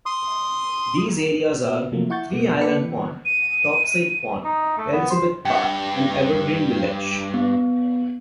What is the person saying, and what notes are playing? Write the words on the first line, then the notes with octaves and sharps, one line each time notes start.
These areas are Three Island Pond, Topsail Pond, Elizabeth Park, and Evergreen Village.
C6 D#6
B3 F#4
C3 F3 F#3 A3 A#3
E4 F#5 C#6 G6 A6
B2 B3
A#3 A4 B4 D5 B5 C#7
E3
D#7
D#4
A3
B3
C5
G2 G5
B3